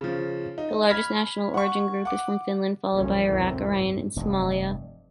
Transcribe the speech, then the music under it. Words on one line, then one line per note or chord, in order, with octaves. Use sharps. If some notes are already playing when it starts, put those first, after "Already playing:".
The largest national origin group is from Finland, followed by Iraq, Iran and Somalia.
C#3 F3
D#4
B5 F6 G#6 B6
F#5 C#6
F#5 D6
F#1 B1 F3 G3 C#4
F1 C#2 F#2 A2 E3 C4
G2
F1 G2